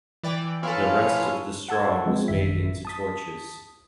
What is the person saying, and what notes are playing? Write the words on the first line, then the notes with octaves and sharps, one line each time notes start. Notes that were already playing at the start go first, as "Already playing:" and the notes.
The rest of the straw was made into torches.
E3 D5 G5
F3 B3 C#4 E4 F4 A4 F5
F#5 A5 E6 G#6
F3 G#3 B3 C4
A1 F#2 D#3 E5 B6
A5 D#6 B6